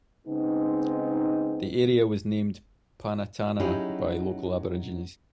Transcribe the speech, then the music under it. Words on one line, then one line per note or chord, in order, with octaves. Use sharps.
The area was named Panatana by local Aborigines.
C#3 G#3 B3 C4 D#4
F#3 C#4 D#4 E4 G4 G#4